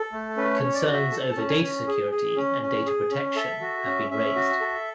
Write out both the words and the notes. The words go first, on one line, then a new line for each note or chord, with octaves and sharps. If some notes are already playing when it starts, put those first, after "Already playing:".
Concerns over data security and data protection have been raised.
Already playing: A4
A3
C#4 B4
C#5
C#4
D5
F#4
E5
A4 A5
A5
C#4
G#5
C#4
G#4
G#4
C#4
C#4
G#4
C#4
A4 E5
F#4
C#4
C#4 E5
F#4
A4